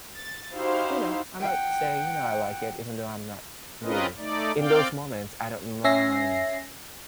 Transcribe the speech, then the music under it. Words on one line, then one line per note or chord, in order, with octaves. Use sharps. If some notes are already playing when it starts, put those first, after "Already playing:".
you know, I might say, you know, I like it, even though I'm not, really in those moments, I don't mind
A6
D#4 E4 F#4 G4 C5 F5
F#5 G5
C4 C#4 F4 A#4 B4 D#5
A3 D#4 D5
C4 D5 F5 G5
C#4 E5 G#5 A#6 C7